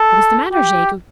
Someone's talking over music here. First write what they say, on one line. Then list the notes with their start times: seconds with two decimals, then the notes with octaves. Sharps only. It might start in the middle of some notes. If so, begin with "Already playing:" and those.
'What is the matter, Jegu?
Already playing: A4
0.53 G4